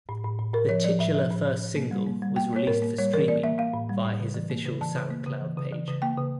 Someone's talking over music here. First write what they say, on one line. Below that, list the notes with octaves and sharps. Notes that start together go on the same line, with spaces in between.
The titular first single was released for streaming via his official Soundcloud page.
A2
A2
A2
A2 A#4
F3 C#5
F3 D5
A2 E5
F3 E5
A2
A2
A2
A#3
G3
A#3
G3
A#3 G5
A#3 C#5
A2 A#4
A#3
G3 C#5
E3 A#4
A#3 D5
A#3 E5
A#3 F5
A2
G3
A2
C#3
E3
A#3
C#3
E3 A5
C#3
A#3
C#3
E3
C#3
E3
C#3
A#3 G5
C#3